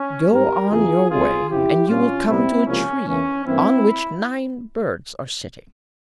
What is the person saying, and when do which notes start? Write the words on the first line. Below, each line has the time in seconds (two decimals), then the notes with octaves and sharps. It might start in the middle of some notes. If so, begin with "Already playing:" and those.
Go on your way, and you will come to a tree, on which nine birds are sitting.
Already playing: C#4
0.31 G#2 G3 C4 G4 A#4
0.70 E2 C#3 E3 F4 G#4
1.10 C#2 C3 G3 C4 F4 G#4
1.50 F2 C#3 F3 E4 G4
1.88 A#2 G3 C4 C#4 F4
2.28 C2 A#2 G3 C4 E4
2.67 C#2 C3 F3 A#3 C#4
3.06 E2 E3 A#3 C#4
3.46 G2 E3 A#3 C4 E4